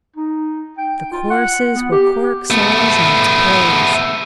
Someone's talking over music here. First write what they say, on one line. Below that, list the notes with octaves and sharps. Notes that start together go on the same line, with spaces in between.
The choruses were choric songs in its praise.
D#4
G5
F4
F#5
B3
G4
A3 B3